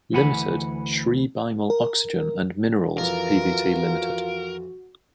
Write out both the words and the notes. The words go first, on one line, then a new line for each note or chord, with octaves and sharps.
Limited, Shree Bimal Oxygen and Minerals Pvt.Ltd.
D2 E3 F#5 G#5 B5
A#4
F2 E3 F4 F#4 A#4